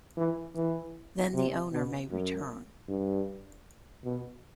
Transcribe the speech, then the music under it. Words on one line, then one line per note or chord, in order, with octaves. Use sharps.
Then the owner may return.
E3
E3
C3
B2
F#2
G2
B2